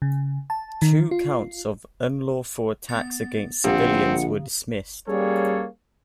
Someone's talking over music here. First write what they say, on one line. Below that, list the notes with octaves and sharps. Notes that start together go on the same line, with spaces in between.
Two counts of unlawful attacks against civilians were dismissed.
C#3
A5
D#3
F4
B3 A6
A#1 D3 C4 F#5
G3 A#3 C#4 G#4 A4 C#5